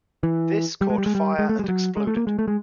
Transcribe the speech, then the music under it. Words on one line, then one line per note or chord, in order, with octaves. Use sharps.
This caught fire and exploded.
E3
G3
G#3
G3
G#3
G3
G#3
A3
G#3
G3
F#3
G#3
A3
A#3
G#3
A3
G#3